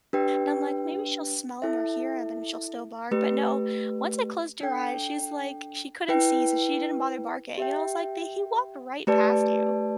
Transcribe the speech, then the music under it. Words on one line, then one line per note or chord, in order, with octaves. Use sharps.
and I'm like, "Maybe she'll smell 'em or hear 'em, then she'll still bark," but, no, once I closed her eyes, she's, like she couldn't see, so she didn't bother barking, and I was, like, "They he walked right past you."
D4 G4 B4 G5
E4 A4 E5
A3 G4 B4
D4 A4 G5
E4 B4 G5
G4 E5 G5
A3 G4 B4 D5 A5